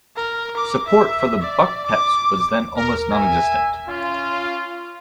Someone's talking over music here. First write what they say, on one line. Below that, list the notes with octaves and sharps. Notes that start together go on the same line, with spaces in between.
Support for The Buck Pets was then almost non-existent.
A#4
D6
E5
D5
D6
A#4
E5 G#5
C#4 F4